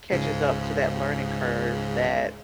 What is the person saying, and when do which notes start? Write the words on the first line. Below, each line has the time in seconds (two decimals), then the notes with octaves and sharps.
catches up to that learning curve that,
0.12 C#2 G#2 C#3